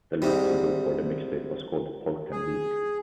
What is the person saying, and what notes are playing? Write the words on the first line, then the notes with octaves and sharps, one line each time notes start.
The lead single for the mixtape was titled "Pork and Leek".
G#2 C3 G3
G#4